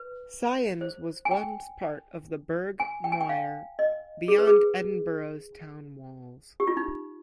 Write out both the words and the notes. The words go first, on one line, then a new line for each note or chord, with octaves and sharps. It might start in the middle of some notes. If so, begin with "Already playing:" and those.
Sciennes was once part of the Burgh Muir beyond Edinburgh's town walls.
Already playing: B4
C5
G#5
G5
G#5
G5
G#5
G5
F5
D#5
G#4
B4
G#4
G4
F4
D#4